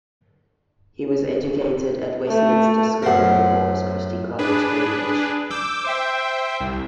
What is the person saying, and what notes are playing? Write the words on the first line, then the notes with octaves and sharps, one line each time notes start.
He was educated at Westminster School and Corpus Christi College, Cambridge.
A3
F#2 A3 A#4 C5 F#5
D4 G#4 B4
D6 E6 G6
C5 E5 G5
C2